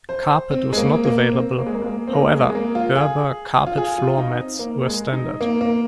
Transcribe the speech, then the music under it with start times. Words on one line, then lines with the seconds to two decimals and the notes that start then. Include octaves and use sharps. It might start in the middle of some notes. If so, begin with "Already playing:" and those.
Carpet was not available, however berber carpet floor mats were standard.
0.09 C5
0.51 C4
0.73 G#3
0.77 A#3
1.05 A#3
1.32 C4
1.59 A#3
1.66 G#3
1.74 A#3
1.82 G#3
1.86 A#3
2.08 C4
2.13 A#3
2.33 G#3
2.49 G#3
2.55 A#3
2.75 F4
2.96 G#4
3.67 F4
3.78 G#4
3.98 F4
4.18 D#4
4.39 C4
4.59 A#3
4.86 G#3
5.13 D#4
5.41 A#3
5.61 A#3